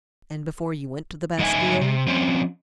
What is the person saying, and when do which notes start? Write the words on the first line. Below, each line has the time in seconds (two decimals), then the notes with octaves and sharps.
"And before you went to the Bastile?"
1.39 G2 D3 D#4 D#5 E5 G#5
1.81 C3
2.07 F3 C4 C#4